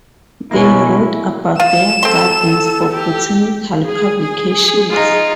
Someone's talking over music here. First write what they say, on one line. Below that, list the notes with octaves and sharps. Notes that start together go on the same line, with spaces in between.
They wrote about their gardens for botanical publications.
B2 G#3 A#3 C#4 E4
F4 E7
C4 A4 C6
G4
G#4
G#4
D#4 F4